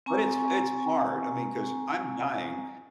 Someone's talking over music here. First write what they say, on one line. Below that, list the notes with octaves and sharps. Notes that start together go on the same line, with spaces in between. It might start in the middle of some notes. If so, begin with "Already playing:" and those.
But it's it's hard. I mean, 'cause I'm dying,
C4 G#5 A#5 C#6